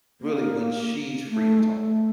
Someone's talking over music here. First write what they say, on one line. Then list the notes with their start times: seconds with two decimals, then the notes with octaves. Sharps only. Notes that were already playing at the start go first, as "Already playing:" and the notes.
really, when she's free to talk.
0.21 A#3
1.29 A3
1.59 G#3
1.65 A3